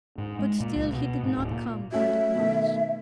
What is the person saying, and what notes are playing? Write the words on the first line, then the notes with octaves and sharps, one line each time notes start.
But still he did not come quite at once.
G#2
G#3
A#2
C#2
B2
G#2
D1
A#2
A3 C#4 F#4 E5
B2 D#3 A3